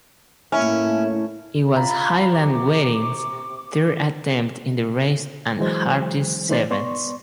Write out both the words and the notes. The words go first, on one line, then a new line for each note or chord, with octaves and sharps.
It was Highland Weddings third attempt in the race and Hartys seventh.
A2 A3 A#3 C#4 E4
F4 A#5 B5
C3 C#6 D6
E3 F#3 G#3 C5
E3 A3 D#4 C5 D5 A6
B3 D5 C6 C#6